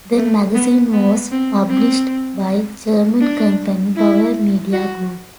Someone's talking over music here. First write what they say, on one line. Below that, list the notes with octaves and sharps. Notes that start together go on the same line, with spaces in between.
The magazine was published by German company Bauer Media Group.
A3
B3
B3
C4
C4
D4
E4
F#4